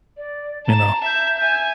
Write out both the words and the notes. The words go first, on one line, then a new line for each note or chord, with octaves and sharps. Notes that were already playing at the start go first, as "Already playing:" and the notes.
you know,
D5
A5 A#5 E7
E5 G6
E5 G#5